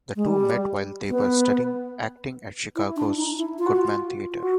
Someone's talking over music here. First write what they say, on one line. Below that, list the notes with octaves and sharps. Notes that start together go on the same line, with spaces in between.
The two met while they were studying acting at Chicago's Goodman Theatre.
G#3
G3
B3
E4
D4
D#4
E4
F4
F#4
F4
F4
F#4